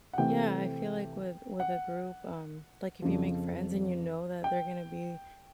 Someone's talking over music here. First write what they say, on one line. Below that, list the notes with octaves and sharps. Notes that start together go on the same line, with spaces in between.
Yeah. I feel like with with a group, um, like, if you make friends and you know that they're gonna be
F#5
C3 E3 A3 C4 G5
F#5
F2 C#3 F3
G5